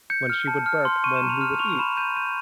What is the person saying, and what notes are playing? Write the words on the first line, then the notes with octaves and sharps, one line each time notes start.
when she would burp, when we would eat,
G6 C#7
F6
A5
F6
C6
C#6 D#7
E7
A#5
F7
F6
C#6 F7
B5 E7
G6 D#7
G6 D#7